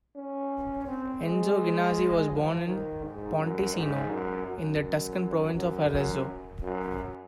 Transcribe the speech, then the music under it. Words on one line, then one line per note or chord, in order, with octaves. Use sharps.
Enzo Ghinazzi was born in Ponticino, in the Tuscan province of Arezzo.
C#4
C4
G#3
F3
D#3
G#2
F#2
G#2
F#2
F#2
F#2
F#2
F#2